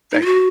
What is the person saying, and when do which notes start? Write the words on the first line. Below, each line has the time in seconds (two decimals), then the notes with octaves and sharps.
Thank you.
0.12 D#4
0.21 F4
0.25 F#4